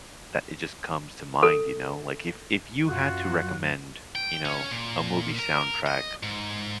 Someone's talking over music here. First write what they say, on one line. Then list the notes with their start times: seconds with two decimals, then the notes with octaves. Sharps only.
that it just comes to mind, you know, like, if if you had to recommend, you know, a movie soundtrack,
1.43 A4
2.87 F#2 F4 F#4 F#6
4.15 G5
4.45 C#4
4.71 A#2
5.39 A#4
5.87 D#5
6.23 G#2